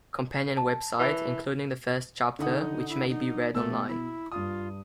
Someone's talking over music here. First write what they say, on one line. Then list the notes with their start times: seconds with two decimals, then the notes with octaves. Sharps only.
Companion web site, including the first chapter, which may be read online.
0.57 A5
0.99 E3
2.39 D3 D#4 F#5 D#6
2.89 E4
3.09 D#4
3.55 B2 A3 E6
3.88 E4
4.32 G2 F4 D#6